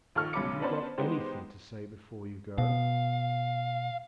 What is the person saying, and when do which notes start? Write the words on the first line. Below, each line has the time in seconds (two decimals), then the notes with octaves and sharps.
"Have you got anything to say before you go?"
0.15 A#1 D#3 A4 C#6 F6
0.33 B1 G#3 C#4 B5 D6 C#7
0.60 B3 C#4 D4 B4 C5
0.98 G#3 B3 D#4 G4 C5
2.58 B2 F5